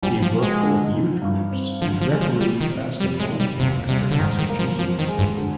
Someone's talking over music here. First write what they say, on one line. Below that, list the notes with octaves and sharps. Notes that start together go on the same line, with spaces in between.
He worked with youth groups and refereed basketball in western Massachusetts.
A#1 G3
F3
F3
G#3
D3
D#4
G2
C4
D3 F3
F3
G#3
F3
C3 G3
D#3
C4
F1 G3
G#3
D#3
G3
D#2 C3
C3 G3
D3
G#2 D#3
D#3
A#3
F3
F2 F3
D#3
G#3
G2
D3